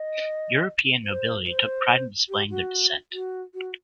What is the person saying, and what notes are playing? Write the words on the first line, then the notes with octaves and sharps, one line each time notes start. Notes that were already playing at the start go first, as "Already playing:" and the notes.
European nobility took pride in displaying their descent.
Already playing: D#5
C5
C5
G4
F#4
F#4
F#4